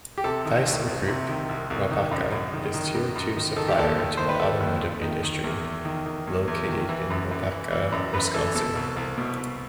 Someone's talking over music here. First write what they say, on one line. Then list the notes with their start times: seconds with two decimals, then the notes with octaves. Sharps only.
ThyssenKrupp Waupaca is tier two supplier to the automotive industry, located in Waupaca, Wisconsin.
0.18 G4
0.24 C3 A4
0.45 D#3
0.66 C2
0.87 C2
1.08 C3
1.28 D#3
1.49 C2
1.70 C2
1.91 D#3
2.11 F#2
2.32 F#2
2.53 D#3
2.74 D#3
2.95 F#2
3.15 F#2
3.37 D#3
3.56 D#3 A4
3.68 G4
3.78 D#2 A4
3.99 D#2
4.17 D#3 C5
4.29 B4
4.39 D#3 A4
4.60 D#2
4.81 D#2
5.02 D#3
5.23 D#3
5.44 E2
5.65 E2
5.85 D#3
6.06 D#3
6.27 E2
6.48 E2
6.68 D#3
6.89 E3
7.10 F#2
7.31 F#2
7.51 E3
7.72 E3
7.92 F#2
8.13 F#2 B4
8.34 E3 A4
8.55 B2 A4
8.76 C2
8.97 C2
9.18 B2
9.38 B2